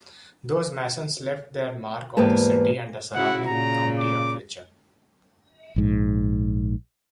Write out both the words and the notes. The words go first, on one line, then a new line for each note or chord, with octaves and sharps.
Those masons left their mark on the city and the surrounding county of Letcher.
E2 G#2 A#3 G4 B4 A5
C#3 E4 F#4 F#5
A#2 C#3 A#5
D6
A#1 G#2